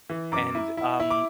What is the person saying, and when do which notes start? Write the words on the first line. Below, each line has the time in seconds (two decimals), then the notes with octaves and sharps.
and, um,
0.10 E3
0.32 F#2 D6
0.55 E4
0.77 E4
1.00 E4
1.11 D6